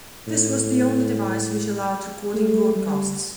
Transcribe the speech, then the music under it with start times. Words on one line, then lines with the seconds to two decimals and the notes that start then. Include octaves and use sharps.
This was the only device which allowed recording broadcasts.
0.27 A2
2.34 A3
2.76 G3